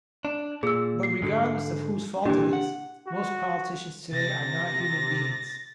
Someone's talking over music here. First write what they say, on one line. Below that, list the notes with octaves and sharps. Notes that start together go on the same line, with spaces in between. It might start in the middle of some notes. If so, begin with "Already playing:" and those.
But regardless of whose fault it is, most politicians today are not human beings.
D4
A#2 G#4 E6
C7
G#2 D3
A#2 E3 D4 G4
F#5
F#4
C3 A6 A#6